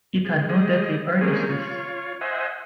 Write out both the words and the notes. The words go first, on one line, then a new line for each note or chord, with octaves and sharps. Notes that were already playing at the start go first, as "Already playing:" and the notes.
It had no deadly earnestness.
G#3
G3 G#3 D#5
G3 G#3 A#3 C4 C#4 G#4
F4 C#5
C5 D#5 E5 F#5 G#5